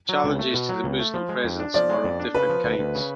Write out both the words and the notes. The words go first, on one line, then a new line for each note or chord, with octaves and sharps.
Challenges to the Muslim presence are of different kinds.
F#3
C#2
A3
B2
F#3
C#2
A3
F3
G#3
F2
D4
F3 D5
G#3
F2
D4
C#3 B4
F3
D2
D2
C#3